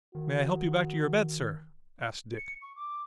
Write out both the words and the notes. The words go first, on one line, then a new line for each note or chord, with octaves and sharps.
"May I help you back to your bed, sir?" asked Dick.
D#3 F#4
C#7
C#6
D6